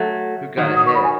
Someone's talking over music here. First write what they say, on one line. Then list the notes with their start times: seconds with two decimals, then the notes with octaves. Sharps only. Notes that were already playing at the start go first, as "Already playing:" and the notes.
who got ahead,
Already playing: F#3 A3
0.57 D#3 F#3
0.76 D#6
0.86 C#6
0.95 B5
1.04 G#5